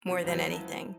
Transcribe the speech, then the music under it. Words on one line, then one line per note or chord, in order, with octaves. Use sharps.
more than anything.
F3 C#4
C#2 F#3 C5 A#5 G6
F3
E4 A5